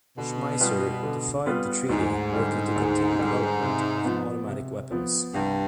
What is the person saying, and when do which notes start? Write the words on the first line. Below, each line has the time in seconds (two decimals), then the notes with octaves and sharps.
Schmeisser defied the treaty, working to continue development of automatic weapons.
0.16 B2 D3
0.60 G3 B3 F4 B4
1.03 D3
1.46 G3 B3 F4 B4
1.89 D2 G#2
2.33 D3 G3
2.76 D2
3.19 D3 G3
3.61 C3
4.05 F3 B3
4.47 C3
4.91 F3 B3
5.34 C2 G2